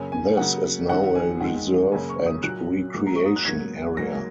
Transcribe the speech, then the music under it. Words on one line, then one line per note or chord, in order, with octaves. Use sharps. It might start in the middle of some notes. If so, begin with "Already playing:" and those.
This is now a reserve and recreation area.
Already playing: F#2 C#3 A#3 G#5
G#5
C#3 F#3 A#3 F#5
F#2 D#3 F#3 F#5
G#5
G#2 D#3 G#3 F#5
F#2 C#3 A#3 G#5
C#6
D#6
A#2 F#3 A#3 F#6
G#2 F#3 A#3
A#5
C#6
D#6
F#6
G#2 F#3 A#3 G#6
G#2 F#3 A#3 A#6